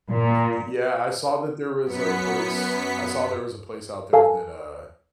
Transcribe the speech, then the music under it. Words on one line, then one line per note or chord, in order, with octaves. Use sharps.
Y Yeah, I saw that there was a place I saw there was a place out there that, uh
A#2
F#2 B3 B6 C#7
A4 F5 G#5 A5